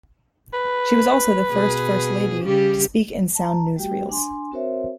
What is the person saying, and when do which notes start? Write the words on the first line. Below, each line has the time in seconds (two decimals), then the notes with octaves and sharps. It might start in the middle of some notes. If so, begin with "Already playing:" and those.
She was also the first First Lady to speak in sound newsreels.
0.53 B4
1.51 B2 G#4
2.44 C#3 G3 G4
3.35 A5 A#5
3.76 G3 A3 F#4 G4 G5
4.09 D4 G#5 C6
4.52 C4 F#4 A#4 C5 C#5 E5